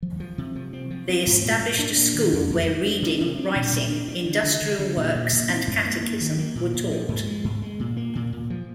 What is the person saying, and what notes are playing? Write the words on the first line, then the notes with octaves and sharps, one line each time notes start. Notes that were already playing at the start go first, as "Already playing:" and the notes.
They established a school where reading, writing, industrial works, and catechism were taught.
F3
F3
C3
F3
C4
F3
C4
G#2
A#2
A#2
D4
A#2
D#3
F2
F2
G3
D4
C3
C3
D4
A#2
A#2
D4
D4
D3
D3
D3
D3
A#2
A#2
A#2
C4
G2
A#3
A#3
D#3
A#3
A#2
A#2
F3
G#2
G#3
G#2
G#3
A#2
A#3
A#2
A#2
F3